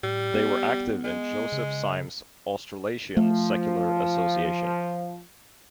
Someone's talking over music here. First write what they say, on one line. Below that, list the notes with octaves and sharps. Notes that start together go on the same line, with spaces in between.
They were active in Joseph Symes's Australasian Secular Association.
A2 G3
B3
G#3
C#3
F3 A3